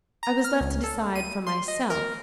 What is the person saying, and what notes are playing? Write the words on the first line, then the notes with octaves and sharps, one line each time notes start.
I was left to decide for myself.
A#5
F6
C#2
A4
D#7
C6
D#5
A#4